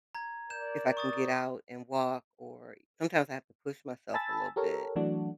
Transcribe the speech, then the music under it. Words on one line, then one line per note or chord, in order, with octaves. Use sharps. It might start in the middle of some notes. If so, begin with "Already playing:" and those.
if I can get out and walk or sometimes I have to push myself a little bit,
A#5 G#6
A#4 D5 G6 E7
C#6 D#6 A6
G#5 A5 B5 E6 A6
G4 A4 A#4 C#5
E3 F#3 A3 D4 F#4